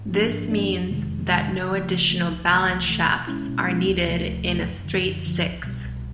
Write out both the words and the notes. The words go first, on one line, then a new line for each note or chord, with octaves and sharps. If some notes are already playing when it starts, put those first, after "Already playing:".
This means that no additional balance shafts are needed in a straight-six.
Already playing: G#2
F3 A#3 D4
G#2
F3 A#3 D4
F2
C3 D#3 G#3
F2
C3 D#3 G#3
C#3
F3 A3
C#3
F3 A3
C#2
C3 E3 A3
C#2
C3 E3 A3
B2
G#3 C#4 E4
B2
G#3 C#4 E4
D2
C3 F3 A3
D2
C3 F3 A3
F#2
D3 F3
F#2
D3 F3
C2
B2 G3
C2